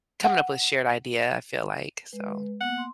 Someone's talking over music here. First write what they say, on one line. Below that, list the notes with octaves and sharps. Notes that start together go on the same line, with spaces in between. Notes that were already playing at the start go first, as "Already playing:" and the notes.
coming up with a shared idea, I feel like, so
F#5
G#3 B4
A#3 B3 F#5
C6